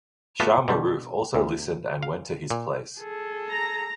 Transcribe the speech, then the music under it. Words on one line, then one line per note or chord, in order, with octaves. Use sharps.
Shah Maroof also listened and went to his place.
G3 A3 B3 F4 F#4
B2 D3 G3
D2
F5
A#2
G#4 A4
A#5